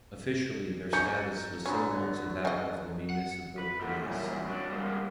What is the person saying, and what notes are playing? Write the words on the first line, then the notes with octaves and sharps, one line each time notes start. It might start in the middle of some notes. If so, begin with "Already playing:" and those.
Officially their status was similar to that of the Municipal Police.
C#4 A4 A#5 G6 C#7
D3 F#3 B3 C#4
C#3 D#5
F#5
B4
A#3 D#4 F4 G4 A4 F#5
F#2 A#2 E3 G3
F#3 D4
G2 G3 G#3 A#3 B3